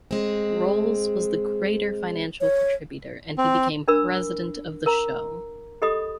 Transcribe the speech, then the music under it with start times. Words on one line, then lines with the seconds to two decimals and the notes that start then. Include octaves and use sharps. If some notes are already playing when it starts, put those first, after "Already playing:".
Rolls was the greater financial contributor and he became President of the show.
0.11 G#3 C4
2.41 C#5
3.38 C4
3.88 D4 A#4 B5 E6
4.86 A#4 A#5
5.82 G4 A4 D#5 B5 D#6